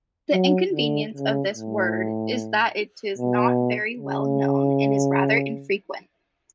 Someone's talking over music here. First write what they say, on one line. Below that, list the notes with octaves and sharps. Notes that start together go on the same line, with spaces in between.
The inconvenience of this word is that it is not very well known and is rather infrequent.
F#3
D3
C#3
A2
B2
C#3